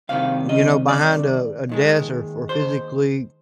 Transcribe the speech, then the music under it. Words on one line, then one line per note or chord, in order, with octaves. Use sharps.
you know, behind a a desk, or f or physically,
C2 C3 D#3 F5
D#5
D5
D#2 D#3 G#3
C5